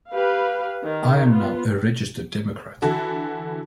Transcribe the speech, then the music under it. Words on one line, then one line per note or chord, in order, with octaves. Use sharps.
I am now a registered Democrat.
G4 B4 F5
D#3
B3 F4
D3 E3 E4 F#4 A4